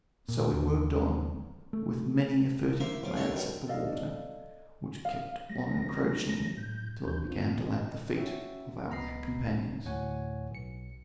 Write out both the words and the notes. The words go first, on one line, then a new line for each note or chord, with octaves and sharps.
So we worked on, with many a furtive glance at the water, which kept on encroaching till it began to lap the feet of our black companions.
A#2
D#2
A3
A#3 E4 C5
B1 F4 D6
D#2 D4 A4 C#5
F#2 B2 D#3
A4 D5 D#5 F5
F5
F#3 G3 A3 A#6
A2 G6
D#2 D#3 E3 D4 G6
C4 D4 F4
D#5
C#4 F#4 E5 G5
C#2 B3 D#5 A#5 B5 C7
D2 A2 C#5 F#5 G#5
B1 C#7